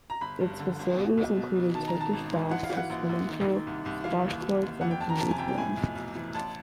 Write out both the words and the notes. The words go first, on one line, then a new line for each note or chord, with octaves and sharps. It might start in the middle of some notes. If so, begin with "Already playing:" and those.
Its facilities included Turkish baths, a swimming pool, squash courts and a gymnasium.
A#5
G1 B5
G2
D3
G1
B2
B1
B2
B2
D#3 A5
A#5
D#3
A5
G#1
G#2
E3 F#5
F5
E3
F#5
A#1
A#1
D#3
D#3
C2
C2
E3 F5
D#2
E3
D#2
F2 F#5
G5
F2 A5
A#5
C3 A5
G#5
F2 G5
G5
A2 G#5
B1
B1
E3
A1 A5